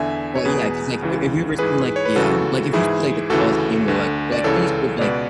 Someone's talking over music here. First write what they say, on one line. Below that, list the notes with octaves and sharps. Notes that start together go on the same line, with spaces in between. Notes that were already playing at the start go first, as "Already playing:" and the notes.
Well, yeah, 'cause like if if you've ever seen, like, the, um like, if you've seen, like, the Colosseum where, like or, like, any sort of, like,
Already playing: E2 D3 E5 G#5
C#5
E2 B2 G#4 B4
C#2 C#3 E3
G#2 E3 G#4 B4
C#5
B4
C#2 C#3 E3 F#4 A4
G#2 E3 E4 G#4
D2 C#3 E3 F#4 A4
D2 D3
D5
C#2 C#3 E3 A4 C#5
C#2 B2 B4 D5